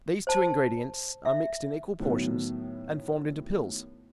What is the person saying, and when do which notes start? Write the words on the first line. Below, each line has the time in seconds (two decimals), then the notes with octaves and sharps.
These two ingredients are mixed in equal proportions, and formed into pills.
0.27 C5 A5
1.25 E5
2.00 A2 D#3 F#3 B3